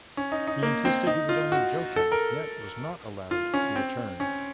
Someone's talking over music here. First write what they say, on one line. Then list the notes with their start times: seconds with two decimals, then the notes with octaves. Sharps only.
He insisted he was only joking yet was not allowed to return.
0.17 C#4
0.32 D#4
0.47 D#4
0.63 A#3
0.85 C4
1.07 D#4
1.29 F4
1.52 F#4
1.96 A4
2.12 A#4
3.31 F4
3.54 C#4
3.76 C4
4.20 C#4